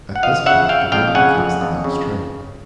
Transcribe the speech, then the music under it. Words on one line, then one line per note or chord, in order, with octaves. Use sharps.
At this point the road becomes the Knox Trail.
F#5
F3 D#5 F5
C#3 E5 F#5
C#3 F5 G5
F2 F5 G5
C#3 F#5 G#5
F2
F2
C#3